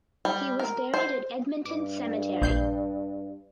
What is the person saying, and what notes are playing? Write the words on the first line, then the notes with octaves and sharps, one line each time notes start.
He was buried at Edmonton Cemetery.
G3
A#4
C5
G2 D6
A#1 G6 C7